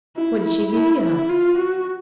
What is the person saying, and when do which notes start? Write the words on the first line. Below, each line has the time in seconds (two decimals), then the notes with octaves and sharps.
'What did she give you, Hans?'
0.16 E4
0.45 E4
0.73 E4
1.01 E4
1.29 F4
1.59 F#4